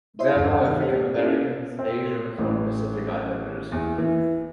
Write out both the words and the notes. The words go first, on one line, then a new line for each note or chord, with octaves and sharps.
There are no African Americans, Asians, or Pacific Islanders.
E4 C5 C#5 D#5 E5 C6
E2 G2
D#3 F#5
C4 D4 G4
C#4 E4 F4 A4 D5
C4
A1
E2
E3